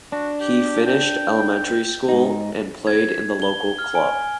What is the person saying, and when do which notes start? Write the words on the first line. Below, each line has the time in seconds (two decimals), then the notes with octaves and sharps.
He finished elementary school and played in the local club.
0.12 D4 F#4
0.40 G4
0.86 G5
2.09 G#2 D#4
2.87 G#6
3.42 G7
3.79 F6
3.95 G#5